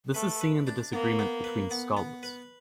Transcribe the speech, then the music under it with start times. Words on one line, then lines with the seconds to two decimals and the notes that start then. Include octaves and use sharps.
This is seen in the disagreement between scholars.
0.14 A3 B4
0.41 B4
0.67 D4
0.93 A#3 B3
1.19 B3
1.44 B4
1.71 B3
1.97 B3
2.23 B4